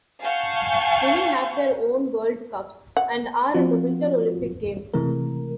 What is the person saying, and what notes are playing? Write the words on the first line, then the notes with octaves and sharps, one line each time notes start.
Many have their own world cups and are in the Winter Olympic Games.
F5 F#5 G#5 A5 C#6 G6
F#5
F3 C4 F4 F#4
C3 E3 G#3 A3 A#4